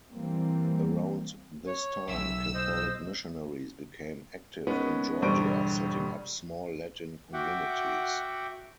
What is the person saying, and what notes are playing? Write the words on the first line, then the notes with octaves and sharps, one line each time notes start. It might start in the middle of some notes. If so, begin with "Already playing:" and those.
Around this time, Catholic missionaries became active in Georgia, setting up small Latin communities.
E3 G3 A#3 C4
C#5
B1 E5 E6
C5 D#5
D#3 G#3 B3 C#4
E1 G2 D3 C5 C#6 D7
F#4 E5 F#5 G5 D6